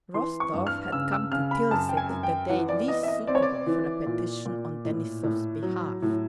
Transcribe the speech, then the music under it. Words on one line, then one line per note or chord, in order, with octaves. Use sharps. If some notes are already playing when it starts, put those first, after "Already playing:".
Rostov had come to Tilsit the day least suitable for a petition on Denisov's behalf.
E3 C6
C#6
G2
F6
C#3 E6
E6
C#3 F6
B5
F#2 A5
G5
G#5
F#2
G5
E3 F#5
D5
B3 D#5
E5
D#5
C4 D5
C#5
D5
E3
A#2
A#2
A2
A2
F#3
A2